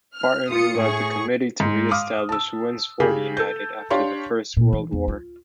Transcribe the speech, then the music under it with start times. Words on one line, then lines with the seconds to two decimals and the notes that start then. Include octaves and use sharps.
Barton, who led the committee to re-establish Winsford United after the First World War.
0.17 F6
0.49 F4 D#6 C#7
0.78 A2 G#4 C#6
1.60 G#2
1.91 F5 D6 D#6 F6
2.29 A5 E6
3.00 C#3 G4 G#4
3.37 A4 G6
3.90 D4 G4 C#5 F5 C6
4.57 A#2
4.73 E3
4.92 E2
5.08 F4